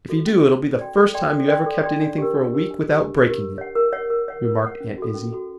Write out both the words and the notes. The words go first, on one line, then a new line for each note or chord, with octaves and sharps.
"If you do, it'll be the first time you ever kept anything for a week without breaking it," remarked Aunt Izzie.
F#4 A4
C#4
F#4 A4
A4
D5 G5 C6
A4
D5 G5 C6
A4
D5 G5 C6
A4
D5 G5 C6
D4
G4 A#4
D4
G4 A#4
D4
G4 A#4
D4
G4 A#4
A#4
C#5 F#5
A#4
C#5 F#5
A#4
C#5 F#5
A#4
C#5 F#5
C#4
F#4 A4
C#4
F#4 A4